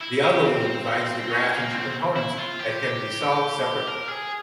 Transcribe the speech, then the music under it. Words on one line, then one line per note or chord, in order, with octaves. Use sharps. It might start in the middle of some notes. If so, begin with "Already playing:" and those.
The algorithm divides the graph into components that can be solved separately.
E4
G4
C4
C#4
A#3
C4
E4
F4
G4
A#4
G#4